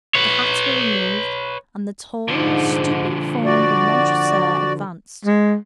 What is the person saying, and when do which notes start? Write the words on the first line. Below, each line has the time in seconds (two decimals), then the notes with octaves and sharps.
The hats were removed, and the tall, stooping form of Montresor advanced.
0.15 B4 C#5
2.28 G#2 D3 F3
3.45 F#4 D5
5.25 G#3